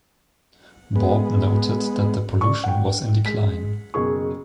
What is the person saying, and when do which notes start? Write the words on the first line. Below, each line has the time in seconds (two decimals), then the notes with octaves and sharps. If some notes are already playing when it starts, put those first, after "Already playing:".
Bob noted that the pollution was in decline.
0.96 G#3 B3
2.41 D5 C#6
2.64 F#5 G5
3.25 G#3 B6
3.94 F#1 B2 G#4 C#6